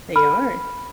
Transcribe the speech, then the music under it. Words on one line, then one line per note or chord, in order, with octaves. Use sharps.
They are.
B5 F6